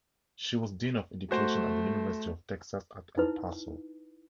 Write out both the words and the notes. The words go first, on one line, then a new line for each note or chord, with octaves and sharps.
She was dean of education at the University of Texas at El Paso.
A3 F#4 C5
D#4 E4 B4